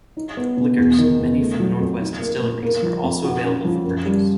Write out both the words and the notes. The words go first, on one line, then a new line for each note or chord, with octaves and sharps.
Liquors, many from Northwest distilleries, are also available for purchase.
D#4
B3
B2
E2
D#3
E2
A3
F#3
F2
D#4
A#3
A#2
A#3
F3
F2
F#4
C#4
F3
F#2
G3